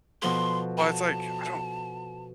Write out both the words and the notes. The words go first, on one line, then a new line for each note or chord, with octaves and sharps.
Well, it's, like, I don't
B2 F3 A4 C6
A5